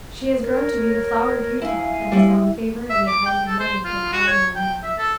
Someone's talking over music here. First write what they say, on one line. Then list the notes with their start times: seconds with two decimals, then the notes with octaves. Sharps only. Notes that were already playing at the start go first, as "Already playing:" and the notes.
"She has grown to be the flower of Utah, and has found favour in the eyes of many who are high in the land."
0.39 A#4 C#5
1.62 E4 F5 G#5
2.12 G3 E4
2.90 E5
3.07 D6
3.26 G5
3.47 A4
3.60 C5
3.85 F4
4.13 F#4
4.27 C#5
4.56 G5
4.84 E5
4.98 A4